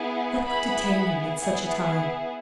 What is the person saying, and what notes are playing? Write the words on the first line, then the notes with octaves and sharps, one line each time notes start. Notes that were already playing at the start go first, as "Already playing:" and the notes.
What could detain him at such a time?
Already playing: B3 E4 G#4
B3 E4 G#4 B5
B3 E4 G#4